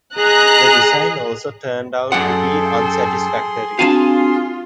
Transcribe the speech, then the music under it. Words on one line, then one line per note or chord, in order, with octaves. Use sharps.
The design also turned out to be unsatisfactory.
G#4 D#5 A#5 F#6
F#2 G#4 A4 D5 F#5 G5 C6
C4 D4 F4 F#4 F5 G#5 A5